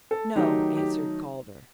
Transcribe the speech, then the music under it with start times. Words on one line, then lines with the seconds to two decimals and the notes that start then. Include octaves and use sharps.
"No," answered Calder.
0.11 A4
0.36 D#3 F#3 A3 D#4 G4
0.77 G4